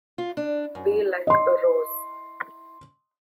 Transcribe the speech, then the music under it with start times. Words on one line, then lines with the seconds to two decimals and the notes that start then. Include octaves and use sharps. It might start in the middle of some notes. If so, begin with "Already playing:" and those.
Be Like a Rose!
0.18 F4
0.37 D4
0.75 F#2
1.27 D#5 C6